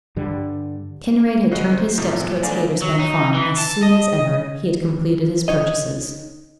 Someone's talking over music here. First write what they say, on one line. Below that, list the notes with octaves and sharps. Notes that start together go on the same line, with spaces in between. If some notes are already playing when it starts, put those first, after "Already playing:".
Kinraid had turned his steps towards Haytersbank Farm as soon as ever he had completed his purchases.
G2 D3 G3
C#3 F#4 D#5 F#6 C7
C5
A2 C3 F3 B3 D#4
A#2
D2 A3 B3 D5 F5 G#5
F#3
D#4
E3
A5
D#5
D#4 C#5 D#5